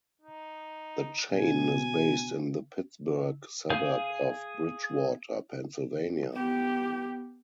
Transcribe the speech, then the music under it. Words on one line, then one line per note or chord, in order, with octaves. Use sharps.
The chain is based in the Pittsburgh suburb of Bridgewater, Pennsylvania.
D#4
B2 G#5
G#4 F5 G#5 G6
B3 G4